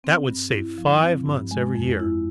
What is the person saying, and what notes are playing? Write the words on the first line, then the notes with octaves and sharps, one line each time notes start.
That would save five months every year.
C4
G2
E4
F3
C4
G2
G#3
F2
E4